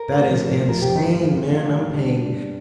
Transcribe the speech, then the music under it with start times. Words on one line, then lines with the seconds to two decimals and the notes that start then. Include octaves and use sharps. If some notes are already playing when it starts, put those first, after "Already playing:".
That is insane, man, I'm paying
Already playing: A#4
0.08 A2
0.28 F3
0.49 A2
0.69 F3 A#4
0.82 G4
0.89 G2
0.96 D#4
1.09 F3 A3
1.22 A#3
1.29 F3
1.36 A3
1.49 A2 A#3
1.69 G3
1.90 G3 D4
2.10 G3
2.30 G2